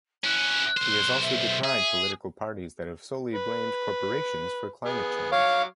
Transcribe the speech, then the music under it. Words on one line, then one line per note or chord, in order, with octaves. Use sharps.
He has also decried political parties that have solely blamed corporations for climate change.
C#4 E4 F#6
B1 C5
E5
G#4
B4
B3 G#4
F#3 C#5 F5 D6